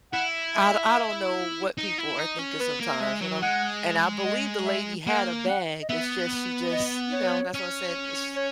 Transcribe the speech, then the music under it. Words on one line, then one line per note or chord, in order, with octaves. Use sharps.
I don I don't know what people are thinking sometimes but I'm, and I believe the lady had a bag, it's just, she just, you know, that's why I said, it's
E4 F#5
E5
D#4
E4
D#4
C#4
B3 B4
A#3
G#3 E5
F#3
G#3 F#5
D#5
E5
A#3 F#5
F#5
D#5
B3 E5
D#5
C#5
C#4
C#5